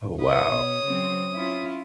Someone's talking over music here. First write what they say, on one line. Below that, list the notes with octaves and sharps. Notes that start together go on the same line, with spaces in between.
Oh, wow.
B4 C#5 D#6
B2
C#3 F#3 C4
C#4 E4 F4